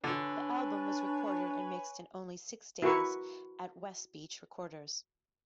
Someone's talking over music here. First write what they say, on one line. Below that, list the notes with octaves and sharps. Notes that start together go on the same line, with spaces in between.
The album was recorded and mixed in only six days at Westbeach Recorders.
D3 D4 B4 C#5 G#5
E4 F#4 A#4 B4 C#6